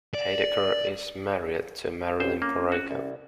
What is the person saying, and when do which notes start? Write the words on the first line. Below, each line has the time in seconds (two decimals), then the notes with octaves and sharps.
Heidecker is married to Marilyn Porayko.
0.14 D5
2.20 B1 C#4 G4 C5
2.42 A#3 C#4
2.72 F#4
2.91 C2